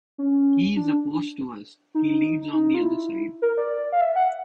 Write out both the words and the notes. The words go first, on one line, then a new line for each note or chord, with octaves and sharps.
He’s opposed to us; he leads on the other side.
C#4
D4
D#4
D#4
F4
E4
A#4
D5
F5
E5
F#5